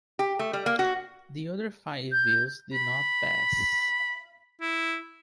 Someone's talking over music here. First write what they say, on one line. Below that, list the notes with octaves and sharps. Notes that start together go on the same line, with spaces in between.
The other five bills did not pass.
G4
A3
G3
A#3
F#4
G6
B5
E4